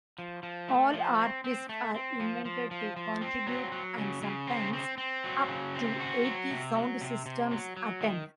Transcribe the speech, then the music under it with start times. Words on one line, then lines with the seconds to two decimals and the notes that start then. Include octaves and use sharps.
All artists are invited to contribute and sometimes up to eighty sound systems attend.
0.19 F3
0.43 F3
0.68 A3
0.94 F3
1.19 C4
1.44 C4
1.69 A3
1.94 C4
2.20 F3
2.45 F3
2.71 F3
2.96 F3
3.21 C4
3.47 F#3
3.72 F#3
3.98 C#3
4.22 C#3
4.47 C4
4.73 C4
4.98 C4
5.24 F#3
5.48 C#3
5.74 C4
6.00 F#4
6.24 F#3
6.50 C3
6.75 F#3
7.01 C3
7.26 C3
7.51 F#3
7.77 F#3
8.01 D#3